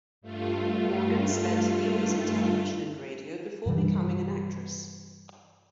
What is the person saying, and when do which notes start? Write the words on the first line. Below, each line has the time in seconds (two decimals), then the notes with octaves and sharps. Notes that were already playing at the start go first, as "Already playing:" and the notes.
Morgan spent years in television and radio before becoming an actress.
0.21 G2 A3 F4
3.66 G2 C3 E3 G3